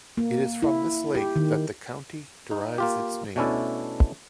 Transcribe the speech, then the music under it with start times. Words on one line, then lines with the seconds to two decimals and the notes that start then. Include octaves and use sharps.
It is from this lake that the county derives its name.
0.17 A#3
0.62 E4
1.15 G4
1.36 D#3
2.51 D#4
2.78 A#3 F4 G4
3.36 B2 A3 C#4 D4 E4 A4